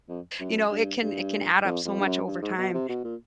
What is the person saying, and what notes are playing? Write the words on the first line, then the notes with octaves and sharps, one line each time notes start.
you know, it can it can add up so much over time.
F2
F#2
G2
G2
F2
F2
G2
F#2
G2
G#2
B2
C3
B2
A#2